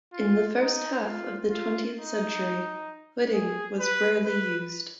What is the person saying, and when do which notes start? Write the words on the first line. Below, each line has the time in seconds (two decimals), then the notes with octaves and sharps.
In the first half of the twentieth century, hooding was rarely used.
0.13 F4
0.59 D#4
1.04 F4
1.50 F4
1.97 D#4
3.34 G#4
3.80 B4
4.25 B4